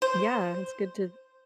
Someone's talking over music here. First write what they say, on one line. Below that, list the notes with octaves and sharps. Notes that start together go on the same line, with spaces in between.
Yeah, it's good to
C5